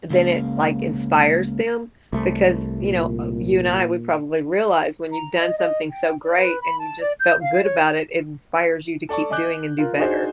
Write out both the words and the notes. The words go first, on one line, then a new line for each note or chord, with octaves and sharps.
eh, then it, like, inspires them because, you know, uh you and I, we probably realize when you've done something so great and you just felt good about it. It inspires you to keep doing and do better,
C#2 C#3 A#3
C2 A3
A#2
A#5
D#5
D#5
G5
D5
B4
B5
A5
D5
G6
F5
C#5
A4 D5 A5 C#6
D#5 G#5 D6 F#6 G6
F4 A#4
D4 D#4 F#4 G#4 C5